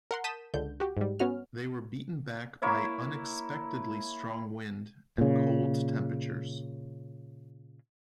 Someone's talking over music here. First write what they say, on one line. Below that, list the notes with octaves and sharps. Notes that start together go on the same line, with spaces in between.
They were beaten back by unexpectedly strong wind and cold temperatures.
A#4 F#5 C6
A5 D#6 G6 B6 D#7 E7
C#2 D3 G6
F#4 G4
G#2 G3
B3 C#4 F#4 F6
A#3 E4 C#5 E5
A#2 C#3